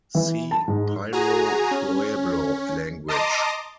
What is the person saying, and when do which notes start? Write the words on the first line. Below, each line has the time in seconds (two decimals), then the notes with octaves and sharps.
See Piro Pueblo language.
0.15 E3
0.51 A5
0.67 G#2
1.13 F#4 G#4 G#5 A#5
1.71 C#4
3.08 D#5 A5 A#5 C6 D6 D#6